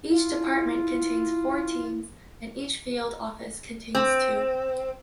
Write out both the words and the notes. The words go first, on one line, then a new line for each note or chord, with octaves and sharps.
Each department contains four teams and each field office contains two.
E4 F4
C4